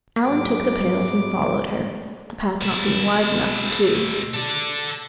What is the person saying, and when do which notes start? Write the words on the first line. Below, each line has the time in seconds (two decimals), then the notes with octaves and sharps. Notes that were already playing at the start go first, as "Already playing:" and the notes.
Alan took the pails and followed her, the path not being wide enough for two.
0.25 G#2 F#3 G#3 B3 D6
2.62 B2 E4
4.35 A4 D5